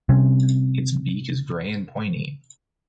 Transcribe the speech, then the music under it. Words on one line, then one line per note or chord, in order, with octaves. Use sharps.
Its beak is grey and pointy.
C3 G3 C4 C#4